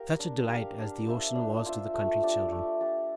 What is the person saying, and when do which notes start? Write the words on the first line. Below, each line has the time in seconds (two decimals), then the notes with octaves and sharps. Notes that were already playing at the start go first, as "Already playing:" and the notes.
Such a delight as the ocean was to the country children!
Already playing: G4 A#4 F5
0.19 D4
0.49 G4 A#4 F5
0.78 D4
1.06 F4 C5 E5
1.35 D4
1.65 F4 C5 E5
1.94 A3
2.23 D4 G4 D5
2.51 A3
2.81 D4 G4 D5